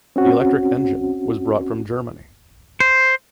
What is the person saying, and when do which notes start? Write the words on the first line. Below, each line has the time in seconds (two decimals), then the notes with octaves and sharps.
The electric engine was brought from Germany.
0.16 C4 C#4 F#4
2.80 C5